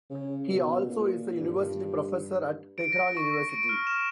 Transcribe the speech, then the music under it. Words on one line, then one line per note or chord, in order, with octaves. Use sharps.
He also is a university professor at Tehran University.
C#3
B2
A#2
G2
D7
A#6
C#6
A#6
D7
F6
E7